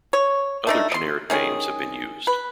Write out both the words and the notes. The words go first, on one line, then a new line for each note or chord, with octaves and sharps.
Other generic names have been used.
C#5
A3 D4 D#4
D#5 C6
D#3 G#3 C#4 G#4
B4